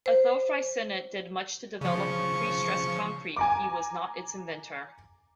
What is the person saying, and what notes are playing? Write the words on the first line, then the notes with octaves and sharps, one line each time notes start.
Although Freyssinet did much to develop prestressed concrete, he was not its inventor.
C5
C#3 F3 C#6
G#5 A#5 D6